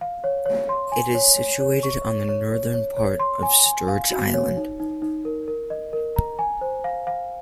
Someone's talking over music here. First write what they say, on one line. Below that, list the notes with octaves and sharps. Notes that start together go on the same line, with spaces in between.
It is situated on the northern part of Sturge Island.
F5
C#5
C#5
C6
G#5
C#5
C#5
C#5
C#6
C#5
C#5
C#5
C#5
C#5
C6
G#5
G#5
F5
F#4
C#5
D#4
D#4
D#4
A#4
A#4
D#5
A#4
A#5
G#5
C5
F5
F5